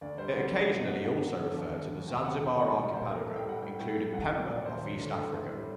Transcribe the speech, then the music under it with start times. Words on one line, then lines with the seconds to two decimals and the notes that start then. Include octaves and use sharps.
It occasionally also referred to the Zanzibar Archipelago including Pemba off East Africa.
0.01 D2 D5
0.18 G3 C5
0.36 D3 F#5
0.52 F#2 D5
0.70 F#2 D#5
0.87 F#3 F#5
1.05 G2 F#5
1.21 F#3
1.38 D3
1.56 D#2
1.74 G3
1.90 D3
2.07 D#2 G5
2.24 F#3 F#5
2.41 D3 G5
2.59 C2 F#5
2.76 G3 D5
2.93 A#2 C5
3.10 A2 A#4
3.23 A4
3.28 A2
3.36 G5
3.44 G3 F#5
3.62 A2 G5
3.79 A2 G5
3.97 G3 G5
4.14 C2 F#5
4.31 F#3
4.47 A#2 D5
4.65 D#2 C5
4.82 F#3
5.00 D3
5.16 A2
5.34 A2
5.51 G3